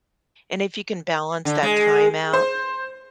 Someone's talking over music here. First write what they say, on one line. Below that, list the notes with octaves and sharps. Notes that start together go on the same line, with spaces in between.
And if you can balance that time out
D3
G#3
C5